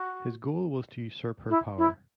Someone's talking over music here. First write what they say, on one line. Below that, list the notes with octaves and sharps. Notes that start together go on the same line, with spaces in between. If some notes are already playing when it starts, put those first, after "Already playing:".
His goal was to usurp her power.
Already playing: F#4
E4
E4